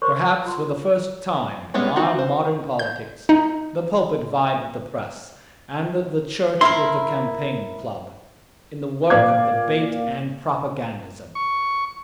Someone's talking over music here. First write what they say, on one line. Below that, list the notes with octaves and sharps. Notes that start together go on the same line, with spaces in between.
Perhaps for the first time in our modern politics, the pulpit vied with the press, and the Church with the campaign club, in the work of debate and propagandism.
A#4 C5 C#5 C6 C#6
F4 C6
G3 G#3 B3 C#4 E4
D#4 F4 F#4 A#5
C5
G6
D#4
E4 A#4 C6
A#2 D5 F5 D6 G#6
C#6